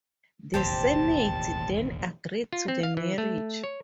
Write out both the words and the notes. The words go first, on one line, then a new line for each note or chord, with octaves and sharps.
The Senate then agreed to the marriage.
E1 A1 D#2 C4 G4 C5 A5
F4
C4
F5
E3
A3
C#5